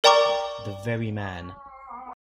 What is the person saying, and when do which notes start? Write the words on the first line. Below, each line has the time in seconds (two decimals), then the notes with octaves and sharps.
The very man.
0.04 A#4 D5 G5 A#5 C#6 D6